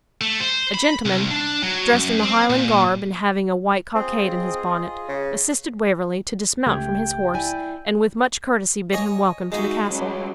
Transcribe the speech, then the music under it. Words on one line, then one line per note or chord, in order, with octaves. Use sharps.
A gentleman, dressed in the Highland garb and having a white cockade in his bonnet, assisted Waverley to dismount from his horse, and with much courtesy bid him welcome to the castle.
A3
C5
B5
C2
D4
F#3
F#2
C4
A#2
C4 F4 G#4 D#5
C#3
C#2 A3 G4 G5 G#6
E4 D5 G#5
C#5 D#5 G#5
G#3 D#4 F#4 E5 G#5
C#2 F#3 G3